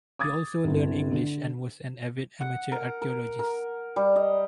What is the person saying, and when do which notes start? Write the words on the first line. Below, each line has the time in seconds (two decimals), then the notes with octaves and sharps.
He also learned English and was an avid amateur archaeologist.
0.19 D6 D#6 G#6 A6
0.64 G1 C2
1.12 D3
2.41 F#5
2.72 A#4
3.02 A#4
3.39 A#4
3.96 G3
4.16 D#5